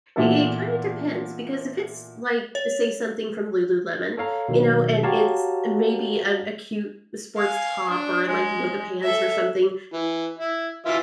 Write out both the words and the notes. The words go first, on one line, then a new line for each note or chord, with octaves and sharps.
i it kinda depends, because if it's, like, say, something from Lululemon, you know, and it's, maybe, an a cute sports top or, like, yoga pants or something,
A#2 E3 B3 E4 F#4 A4
C#5
A4 C#5 F5 A#5
B2 D#3 F#3
F#4 G4 C#5 F5 A5 A#5
F5 G#5
D4
G#3
A4 E5
E3
E4
E3 F4 E5